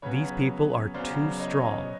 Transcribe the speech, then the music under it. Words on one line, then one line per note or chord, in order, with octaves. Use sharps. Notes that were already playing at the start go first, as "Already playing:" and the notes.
These people are too strong.
C#3 F#3 B3 B4 C#5
C#3 F#3 B3 C5 D5
C#5 D#5